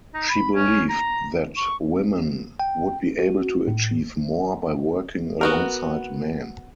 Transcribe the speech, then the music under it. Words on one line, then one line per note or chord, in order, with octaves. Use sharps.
She believed that women would be able to achieve more by working alongside men.
D#4
B5
C#4
A#5
C#6
G5
F#4
A2
B3 F#4 A#4